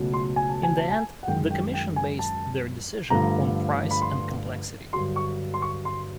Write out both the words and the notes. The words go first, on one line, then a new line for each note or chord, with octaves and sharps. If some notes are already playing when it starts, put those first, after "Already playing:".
In the end, the commission based their decision on price and complexity.
Already playing: C#2 B2 F#3 A3
C6
G#5
A5
G#5
A5
G#5
F#5
F#2 D#3 G#3 G5
G5
G5
G#5
A5
G2 D3 F3 A3 A#5
B5
C6
G2 D3 F#3 C6
C#6
C6
C#6
C6